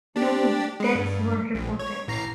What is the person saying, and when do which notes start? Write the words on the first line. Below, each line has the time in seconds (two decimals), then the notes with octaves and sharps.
No deaths were reported.
0.16 D4 G4
0.80 G#3 B4
0.95 G2
1.55 A#1
1.79 C#5
2.08 A1 A#5 C7